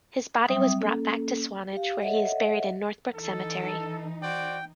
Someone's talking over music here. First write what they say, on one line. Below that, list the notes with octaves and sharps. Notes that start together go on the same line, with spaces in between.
His body was brought back to Swanage, where he is buried in Northbrook Cemetery.
F#3 G3 C4 E5 G5 D#6
A#3 C#4 A4
G4 F5
A4 C#5 D#5 E5 F#5
E3 D#4 A4
F#4 C5 D5 G5